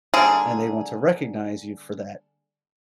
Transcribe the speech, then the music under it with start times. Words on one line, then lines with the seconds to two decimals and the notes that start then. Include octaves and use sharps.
and they want to recognize you for that.
0.14 D3 G3 A#3 G#4